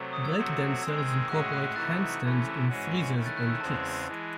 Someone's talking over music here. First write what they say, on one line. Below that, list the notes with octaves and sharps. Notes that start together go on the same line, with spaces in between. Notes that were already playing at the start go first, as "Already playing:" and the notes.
Breakdancers incorporate handstands in freezes and kicks.
Already playing: C3 F#3 A3
D#6
E6 G#6
C3 F#3 A3 C4 F#4 E6 G#6
D#3 G#3 C4 E6 G#6
E6 G#6
E6 G#6
A2 G#3 C#4 F#4 F#6
E6
F#6
C3 E3 A3 D#4 F#4 F#6 A6
C3 E3 A3 C#4 E4
G#2 E3 G#3 C#4 F#4
D#3 A3 C#4 E4
F#6 A6
F#6
E6
E2 C#3 G#3 C4 A5
E3 G#3